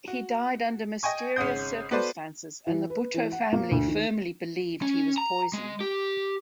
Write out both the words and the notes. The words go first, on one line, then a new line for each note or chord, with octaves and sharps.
He died under mysterious circumstances, and the Bhutto family firmly believed he was poisoned.
F#4
D#5 G5 G#5 C#6
G#1 C#3 C#4 F#5 D#6 G6
B3 F#4 A4 B4 C5 D5
E3
B4
E3
F#5
A#3
D2
D#3
C#4
A#5
G#3
G4